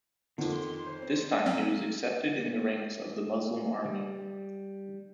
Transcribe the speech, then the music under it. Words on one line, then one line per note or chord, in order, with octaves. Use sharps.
This time he was accepted in the ranks of the Muslim army.
F2 D3 D#3 F3
C6
C5
C4
F#3 C4 C#4
G3